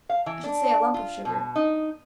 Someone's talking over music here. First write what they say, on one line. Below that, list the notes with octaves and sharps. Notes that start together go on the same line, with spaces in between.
I should say a lump of sugar.
F5
E3
D4
F4
B2
D#4